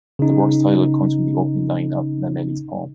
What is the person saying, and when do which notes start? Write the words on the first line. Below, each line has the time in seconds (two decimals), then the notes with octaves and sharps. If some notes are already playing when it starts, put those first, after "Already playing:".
The work's title comes from the opening line of Mameli's poem.
0.19 C#3 D#4